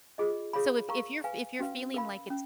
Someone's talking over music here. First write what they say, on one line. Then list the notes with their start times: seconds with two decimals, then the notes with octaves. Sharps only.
So, if if you're if you're feeling like it's
0.18 F4 G#4 D#5
0.53 G#4 C#5 F5 B5
0.89 A#4 F5 A#5 C#6
1.24 B4 F5 G#5
1.59 C#4 F#4 B4 F5
1.94 A#4 F5 B5
2.30 C#4